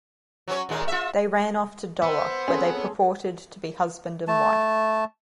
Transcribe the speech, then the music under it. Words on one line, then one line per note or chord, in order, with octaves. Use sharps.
They ran off to Dollar where they purported to be husband and wife.
F#3 C#4 C#5
D#2 A#2 G#3
F4 E5
B3 C5 E6
C4 C#4 G#4 A4
A3 A5